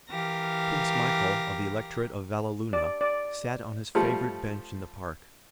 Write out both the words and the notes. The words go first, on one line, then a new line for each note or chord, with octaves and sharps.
Prince Michael, of the Electorate of Valleluna, sat on his favourite bench in the park.
E3 G4 A#4 F5 A#6
D5
D5
F3 G3 A3 F4